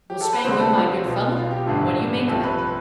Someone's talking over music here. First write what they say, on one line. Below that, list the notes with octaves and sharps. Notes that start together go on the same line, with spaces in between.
"Well, Spangler, my good fellow; what do you make of it?"
G4
A4
B4
D2 C3 G3 C4 C5
B4
A4
F4
B1 B2 B3
F4
G4
A1 G2 D3 A3
C2 C3 F3 A3 C4 A4
B4
B4